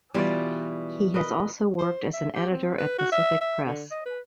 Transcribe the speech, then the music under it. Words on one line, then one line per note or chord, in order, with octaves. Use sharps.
He has also worked as an editor at Pacific Press.
B2 E3 G3 F4 D5
A#4 B4 D#5
C5
E5
G4
C4
B4
F#4
E5
E5
D3
D#5
B4